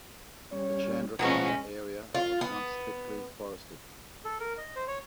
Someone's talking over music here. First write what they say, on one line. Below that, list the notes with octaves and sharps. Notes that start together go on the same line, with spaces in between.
The Chandrakona area was once thickly forested.
G3 C#4 C#5
B2 F3 F#3 G#3 B3 C#4 F#4 B5
F4
B3
A4
A#4
D#5
C5
C#5